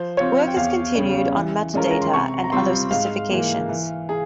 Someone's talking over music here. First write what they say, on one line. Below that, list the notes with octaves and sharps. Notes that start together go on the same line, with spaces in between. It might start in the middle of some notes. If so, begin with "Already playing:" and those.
Work has continued on metadata and other specifications.
Already playing: F3 C5
C4 F4 C#5
G5
E2 F5
C#3 G3 C#4
E3
G#3 C#4 F4 A#4
A#5
C6
C3 C#6
A#5
G3 C4 F4 C6
G#2 F5
E3 A#3
E3
G#4